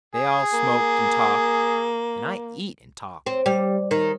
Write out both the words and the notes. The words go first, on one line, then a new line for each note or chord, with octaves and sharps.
They all smoked and talked, and I eat and talked.
G#4
A#3
C4
G3
D#3